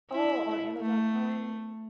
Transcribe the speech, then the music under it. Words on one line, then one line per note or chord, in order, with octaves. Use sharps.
Oh, on Amazon Prime?
E4
A3